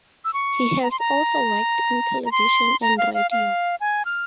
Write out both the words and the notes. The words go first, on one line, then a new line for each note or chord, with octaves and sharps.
He has also worked in television and radio.
E6
C#6
A#5
C6
A#5
A#5
C6
A#5
F5
F5
F5
G#5
F6